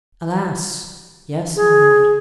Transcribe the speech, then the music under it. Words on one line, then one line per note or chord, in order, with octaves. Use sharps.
"Alas! yes, my lord."
G#4